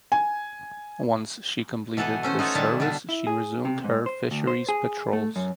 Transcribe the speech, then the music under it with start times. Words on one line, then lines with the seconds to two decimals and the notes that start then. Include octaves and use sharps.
Once she completed this service she resumed her fisheries patrols.
0.12 G#5
1.97 B2 E3 A4 F#5 G#5
2.23 A3 C#4 C5
2.39 D#4 F4 F#4 A4 C#5
2.55 A#2 D#3 G3 D4 E4 A5
2.80 B2 D3 G3 D4
3.09 E4
3.27 G#4
3.65 C3
3.84 G#2
4.06 C5
4.31 D2
4.47 C5
4.69 G#4
5.13 A3
5.36 F#2